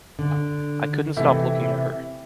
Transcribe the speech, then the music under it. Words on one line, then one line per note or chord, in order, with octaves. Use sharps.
I couldn’t stop looking at her.
D3
C3 E3 A3 E4